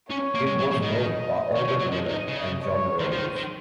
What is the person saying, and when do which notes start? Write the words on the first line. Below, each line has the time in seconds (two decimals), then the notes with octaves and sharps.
It was built by Albert Miller and John Rose.
0.10 C#4 C#5
0.35 A#3
0.47 G#3
0.59 F#3
0.71 F3
0.83 D#3 D#5
1.55 D#3 C#5
1.68 F3
1.79 F#3
1.91 F3 D#5
2.09 D#3
2.28 C#3
2.64 C#5
3.00 D#3 C5
3.12 F3
3.18 D#3
3.36 D#3